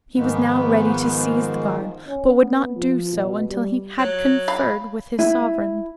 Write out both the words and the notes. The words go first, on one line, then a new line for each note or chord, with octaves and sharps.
He was now ready to seize the guard, but would not do so until he had conferred with his sovereign.
G#2 D#3 F3 B3
C#4
B3
F3
B2
G3
F#3
F5 B5
E4